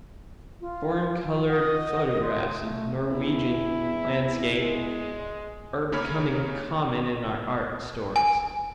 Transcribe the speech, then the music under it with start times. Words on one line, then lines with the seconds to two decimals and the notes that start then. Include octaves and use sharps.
Foreign colored photographs of Norwegian landscape are becoming common in our art stores.
0.61 F4
1.48 D#5 F#5
2.22 C6
2.58 A3
3.10 E2 E4
4.61 G#3
5.92 C#3 A#3 C#4 C#5 B5 F6
8.16 G#5